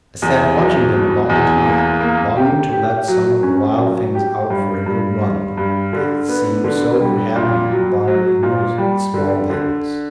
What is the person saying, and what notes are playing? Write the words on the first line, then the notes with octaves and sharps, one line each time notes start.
I sat watching them a long time, longing to let some of the wild things out for a good run, they seemed so unhappy barred in those small dens.
E2
F#3
B2
E2
A#3
A#3
G4
G4
F#3
C#4
F#3
G4
G2
G2
G2
G2
D3
B3
D3
G3
A#2
F#3
F#3
A#2
G3
D3
D3